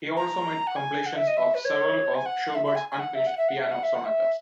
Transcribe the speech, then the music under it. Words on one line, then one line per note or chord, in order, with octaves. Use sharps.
He also made completions of several of Schubert's unfinished piano sonatas.
A#5
F#5
G#5
F#5
E5
D#5
E5
B4
C#5
G#5
F#5
E5
E5
G#5
G#5
F#5
E5
F#5
E5
F#5
E5
F#5
E5
F#5
E5